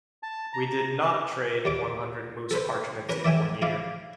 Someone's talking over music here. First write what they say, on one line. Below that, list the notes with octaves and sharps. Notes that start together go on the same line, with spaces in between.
We did not trade one hundred moose parchments in one year.
A5
A#5
D#2 D5 D6
A4 B4 C5
C#4 A#4 B4
D5 E5 G5 G#5
E4 D5 F5